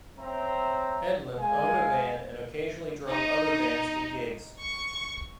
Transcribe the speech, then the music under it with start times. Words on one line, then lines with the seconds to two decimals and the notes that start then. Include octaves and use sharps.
Hedlund owned a van and occasionally drove other bands to gigs.
0.19 C4 C#5 E5 A#5
1.38 G#3 G#4 F5 G#5
3.09 D#4
4.58 C#6